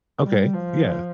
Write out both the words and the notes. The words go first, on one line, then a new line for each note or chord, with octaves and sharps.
Okay. Yeah.
G3
F3